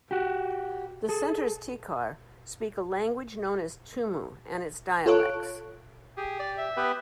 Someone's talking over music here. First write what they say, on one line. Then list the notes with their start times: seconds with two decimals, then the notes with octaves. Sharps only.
The Centre's Tikar speak a language known as Tumu and its dialects.
0.11 F#4 G4
1.09 G#4 A4
5.06 F4 A4 C#5 F#6 D7
6.17 G4 G#4
6.39 D5
6.58 E5
6.77 B3 G4 B4